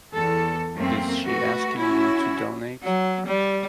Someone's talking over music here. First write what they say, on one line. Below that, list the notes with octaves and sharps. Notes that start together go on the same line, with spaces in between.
Is she asking you to donate?
E2 A4
F#2 A3 A#3 C4
A3 F#4 B4
C#4 E4 F#4
F#3
G3